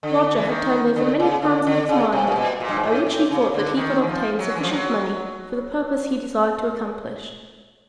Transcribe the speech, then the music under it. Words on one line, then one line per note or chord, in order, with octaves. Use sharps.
Roger had turned over many plans in his mind, by which he thought that he could obtain sufficient money for the purpose he desired to accomplish.
D3
E3
D#3
D3
C#3
D3
D3
C#3
C3
A#2
B2
A#2
G2
G#2
A2
A2
C#3
D3
D#3
E3
F3
F#3
E3
F3
F#3